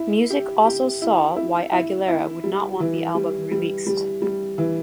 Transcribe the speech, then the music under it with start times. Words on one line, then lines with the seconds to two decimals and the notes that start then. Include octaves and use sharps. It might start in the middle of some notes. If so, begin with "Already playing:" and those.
Music also saw why Aguilera would not want the album released.
Already playing: E4
0.30 G4
0.65 G4
1.02 E4
1.36 E4
1.72 E4
2.08 E4
2.44 G3
2.80 E3
3.15 G3
3.51 G3
3.86 G3
4.22 G3
4.58 E3